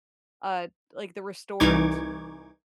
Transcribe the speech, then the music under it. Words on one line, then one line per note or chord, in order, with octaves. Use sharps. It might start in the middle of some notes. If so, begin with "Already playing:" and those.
uh, like, the restored,
C2 E3 D#4 C#6 D6 G#6